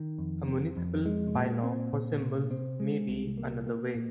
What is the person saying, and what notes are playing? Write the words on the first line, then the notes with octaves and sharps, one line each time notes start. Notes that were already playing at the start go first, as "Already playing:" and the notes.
A municipal bylaw for symbols may be another way.
Already playing: D#3
F2
C4
F2
G#3
A#2
C4
A#2
C3
C4
G#3
C2
A#3
A#3
A#2